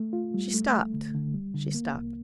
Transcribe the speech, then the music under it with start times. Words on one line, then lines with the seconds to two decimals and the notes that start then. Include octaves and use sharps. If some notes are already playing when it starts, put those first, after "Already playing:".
She stopped, she stopped.
Already playing: A3
0.13 F4
0.34 G3
0.54 A3
0.74 A3
0.94 D3
1.14 D3
1.34 G3
1.54 D3
1.74 A#3
1.95 C2